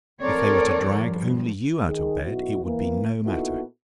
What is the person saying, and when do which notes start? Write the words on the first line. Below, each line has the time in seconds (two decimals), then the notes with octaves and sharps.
If they were to drag only you out of bed, it would be no matter.
0.22 E3 C4 A4 A#4 C#5 D5
0.93 G2 F3
1.87 D#3 G#4
2.24 B1 B2 D#4 E4 F#4
2.64 E3 A#3
3.24 A#2 B3 D#4 E4 F#4 A4